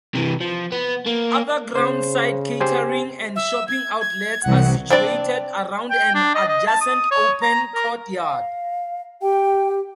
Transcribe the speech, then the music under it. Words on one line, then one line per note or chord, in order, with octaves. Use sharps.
Other ground side catering and shopping outlets are situated around an adjacent open courtyard.
C3 E3
F3
B3
A#3
C#3 C5
G4 C5 G#5
E5
G#6
G#6
C2 E3 F#5
C4 D4 D5
G5
D4
D#5
D#5
A5
D#6
C#5
A#5
A#4
F5
G4 G5